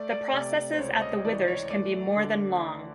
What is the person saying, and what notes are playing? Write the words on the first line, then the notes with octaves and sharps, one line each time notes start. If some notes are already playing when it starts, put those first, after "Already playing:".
The processes at the withers can be more than long.
Already playing: A3 D5
D5
C3 D5
D5
C5
C#2 C#5
D#5
E3 D5
C#5
A3 D5
D3